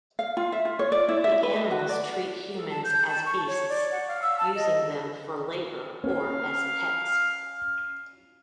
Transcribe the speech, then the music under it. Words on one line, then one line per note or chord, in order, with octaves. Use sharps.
The animals treat humans as beasts, using them for labor or as pets.
F5
F4
E5
F4
C#5
D5
E4
E5
B4
D#5
F#4
D5
A4
A5
G6
A5
C#6
C#5
D5
F#5
F5
E6
A5
D#5
C#4 F5